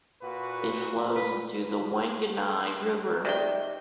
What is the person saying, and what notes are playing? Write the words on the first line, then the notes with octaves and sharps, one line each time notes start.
It flows into the Wanganui River.
A#2 F#4 B4
B4
C3 D#3 D5 G5